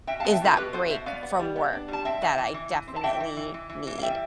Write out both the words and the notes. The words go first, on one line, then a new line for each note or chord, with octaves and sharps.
is that break from work that I definitely need.
B2 E5 G5
F5 A5
B3
E5 G5
B2 F4 A4
B2 G4 B4
B3 A4 C5
B2 C5 E5
B3 D5 F5
B3
G3
B3
D4
G3 A5
C4 E5 G5
E3
E3
E3
E3
C4
A5
E3 E5 G5
E3
E3
E3
E3
E3
F5
G3 E5 G5